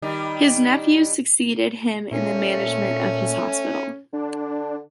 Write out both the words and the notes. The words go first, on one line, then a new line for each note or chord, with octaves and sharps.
His nephews succeeded him in the management of his hospital.
D#3 G3 D#4
A#2 A3 C#4
D3 D4